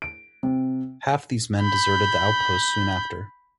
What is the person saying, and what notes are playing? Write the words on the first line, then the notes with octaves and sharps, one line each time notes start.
Half these men deserted the outpost soon after.
D7
C3
B5 G6